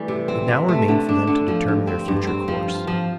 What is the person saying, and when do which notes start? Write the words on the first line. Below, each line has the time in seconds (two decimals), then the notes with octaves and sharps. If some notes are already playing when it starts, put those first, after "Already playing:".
It now remained for them to determine their future course.
Already playing: E3 G3 A3
0.08 C3
0.28 C4
0.48 C3
0.68 A3
0.88 D3
1.09 D4
1.27 D3
1.48 F3
1.68 G2
1.87 C4
2.08 G2
2.27 C4
2.48 F3
2.68 F4
2.87 F3